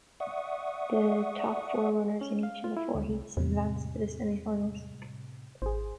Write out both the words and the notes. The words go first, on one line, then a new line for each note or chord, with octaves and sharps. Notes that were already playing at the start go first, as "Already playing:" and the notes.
The top four runners in each of the four heats advanced to the semifinals.
D5 E5 F#5 C#6 D#6
C#4
F5
F4
E4
D2
C2
E2 A2 C3 G3
G#1 G#4 C5